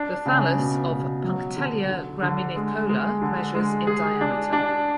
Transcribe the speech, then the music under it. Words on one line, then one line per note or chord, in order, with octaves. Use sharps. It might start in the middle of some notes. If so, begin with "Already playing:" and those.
The thallus of "Punctelia graminicola" measures in diameter.
Already playing: D4
C#3
B2
B2
F#3
D3
D3
D3
G#3
G#3
D3
G#3
G#4
D4
D4